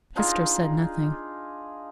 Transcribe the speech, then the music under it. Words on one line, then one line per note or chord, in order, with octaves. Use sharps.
Hester said nothing.
D4 D#4 F4 G#4